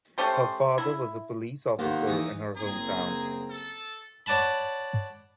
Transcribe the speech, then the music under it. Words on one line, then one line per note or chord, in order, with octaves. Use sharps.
Her father was a police officer in her home town.
A3 C#4 G4 C5
E4
D#2 A#3 B3 C5
E3 D#4 C#6
F#1 C4 G#4 A#5
A4
C#5 D5 F#5 A5 B5